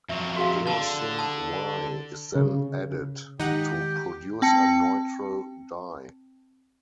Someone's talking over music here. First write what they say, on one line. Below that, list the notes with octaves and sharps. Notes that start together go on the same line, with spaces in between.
Eosin Y is then added to produce a "neutral" dye.
F2 F#3 E5
F#4 G#4 F5
D3 A5
A5 D#6
C#3
D#3 G#3 D#4 G4 F#5
C4 G5 A5 C#7